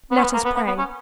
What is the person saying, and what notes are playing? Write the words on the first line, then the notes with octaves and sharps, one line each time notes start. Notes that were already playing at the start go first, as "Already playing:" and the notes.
"Let us pray."
B3
C#4
B3
A#3
B3
B3
B3
C#4